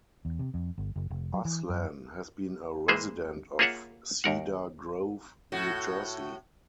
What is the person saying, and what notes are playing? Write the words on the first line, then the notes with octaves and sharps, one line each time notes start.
Uslan has been a resident of Cedar Grove, New Jersey.
E2
C3
F2
G1
F#1
F1
F#3
E3
F#2
E3 G#3 A#3 G#4 C5 E5
A#3 F4 G#4 C#5 E5 F#5
D#2 A#4 F#5
A2 F#4